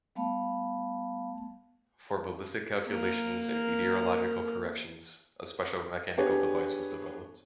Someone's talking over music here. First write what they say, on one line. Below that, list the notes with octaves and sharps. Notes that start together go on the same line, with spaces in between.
For ballistic calculations and meteorological corrections a special mechanical device was developed.
G3 A3 B3 F5 A5 B5
A#3 A#4
B3 D4 G4 G#4 B4 C#5